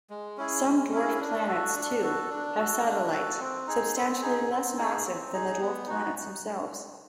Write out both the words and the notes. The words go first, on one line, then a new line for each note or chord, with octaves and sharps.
Some dwarf planets, too, have satellites substantially less massive than the dwarf planets themselves.
G#3
C#4 E4 G#4
G#3
C#4 E4 G#4
D4
F#4 A4
D4
F#4 A4
D4
F#4 A4
D4
F#4 A4
C4
D#4 G#4
C4
D#4 G#4
C4
D#4 G#4
C4
D#4 G#4
B3
D#4 F#4